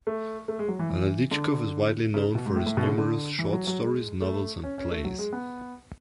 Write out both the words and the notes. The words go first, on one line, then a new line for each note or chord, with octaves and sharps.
Radichkov is widely known for his numerous short stories, novels and plays.
A3
A3
G#3
F#3
E3
E3
D3
C#3
B2
G#2
A2
A2
B2
D3
C#3
D3
E3
F#3
F#3
G#3
A3
C#4
C#4
A3
F#3
G#3
B3